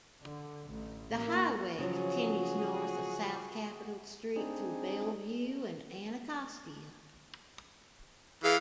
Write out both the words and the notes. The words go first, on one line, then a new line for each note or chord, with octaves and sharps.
The highway continues north as South Capitol Street through Bellevue and Anacostia.
D3
A1
A#3
C#3 F3 F#3 F#4 G#4
C4 D4 D#4 G#4
E3 G#4 F5